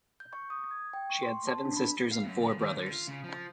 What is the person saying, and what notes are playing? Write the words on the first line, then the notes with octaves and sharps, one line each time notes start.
She had seven sisters and four brothers.
G6
C#6
D#6
G#6
G5
C#6
C6
A5
D4
B5
F5
F#2
D3
D#3
D3
F4
C#3
F3